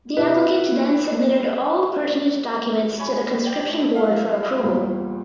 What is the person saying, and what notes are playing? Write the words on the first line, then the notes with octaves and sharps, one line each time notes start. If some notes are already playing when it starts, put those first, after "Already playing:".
The applicant then submitted all pertinent documents to the conscription board for approval.
C3 E4 B4
C#5 G#5 B5
D5 G5
A3 G4
E4 F5
E2 A#2 G3